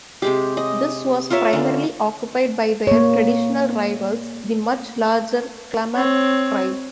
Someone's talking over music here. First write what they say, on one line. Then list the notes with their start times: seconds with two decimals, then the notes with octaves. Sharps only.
This was primarily occupied by their traditional rivals, the much larger Klamath tribe.
0.22 C3 G#3 G4
0.57 D#5
1.30 F4 A#4 C#5 E5
1.53 D3 C#4
2.87 A#3 C#5
5.96 C4 C#5